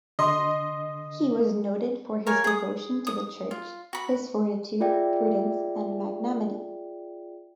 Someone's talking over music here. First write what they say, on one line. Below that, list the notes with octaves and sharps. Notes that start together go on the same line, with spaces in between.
He was noted for his devotion to the Church, his fortitude, prudence, and magnanimity.
D3 D#5 C6
A#4 C#5 F5 G#5
G#4 D#6
D#6
F4
F#4 B5
F4 G#4 D5 E5 G5